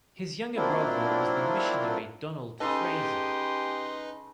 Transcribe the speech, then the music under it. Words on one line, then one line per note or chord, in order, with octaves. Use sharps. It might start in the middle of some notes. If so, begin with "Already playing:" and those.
His younger brother was the missionary Donald Fraser.
F#3 A#3 C4 D4 E4 F4
C#3 D#4 G4 A4 B4 D#5 C6 D#6